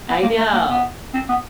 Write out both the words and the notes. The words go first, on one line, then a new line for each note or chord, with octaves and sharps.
I know
B3
A#3
A3
A#3
B3
C4
B3